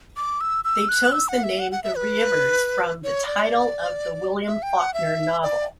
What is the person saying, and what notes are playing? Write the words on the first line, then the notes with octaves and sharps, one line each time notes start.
They chose the name "The Reivers" from the title of the William Faulkner novel.
D6
E6
E6
F#6
E6
F#5
E5
F#5
F#5
E5
B4
C#5
D5
E5
G5
F#5
E5
D5